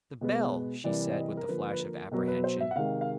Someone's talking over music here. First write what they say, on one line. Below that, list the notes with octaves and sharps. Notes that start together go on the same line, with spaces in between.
"The bell!" she said, with a flash of apprehension.
B2 G#3 B3
C3 E3 G3 A#3 D5
D5
D#5
A#4
D3 F3 A#3 B4
B4
A#4
B2 F#3 B3 A#4
B4
C5
E5
F#5
C3 D#3 G#3 F5
F5